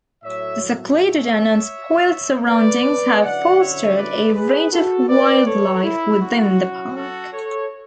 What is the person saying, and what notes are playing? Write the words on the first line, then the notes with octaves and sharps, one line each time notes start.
The secluded and unspoilt surroundings have fostered a range of wildlife within the park.
A2 F#3 A3 C#5 E5
C#5 E5
B4 D5
D3 F#3 C#4 E4 D5 F#5
C#5 E5
B4 D5
G#4 B4
F#4 A4
B4 D5
A4 C#5
E4
F#3 C#4 E4 F#4
F#4 A4
A4 C#5